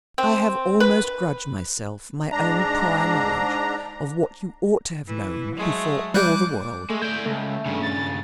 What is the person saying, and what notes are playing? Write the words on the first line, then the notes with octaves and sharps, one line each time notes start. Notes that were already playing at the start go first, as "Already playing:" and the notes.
I have almost grudged myself my own prior knowledge of what you ought to have known before all the world.
C4
B4
G#2 D4 A#5
E3
F#3 G#3 A3
G3 D6 F#6 G6
G#3 A3
E4 D5 G6
C#2 A3
G2 C#3
A6